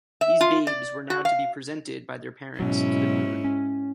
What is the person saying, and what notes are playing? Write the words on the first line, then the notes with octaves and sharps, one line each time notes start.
These babes were now to be presented by their parents to the moon.
E5
F4
D5
F#4
F5
G#2 B2 F#3 C#4 E4
C#4